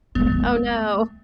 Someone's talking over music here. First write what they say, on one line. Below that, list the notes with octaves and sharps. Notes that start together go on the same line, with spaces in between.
Oh, no.
G#3 A3 B3